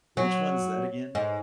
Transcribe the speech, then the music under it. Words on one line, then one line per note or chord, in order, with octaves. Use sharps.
Which one's that again?
F#3
G#2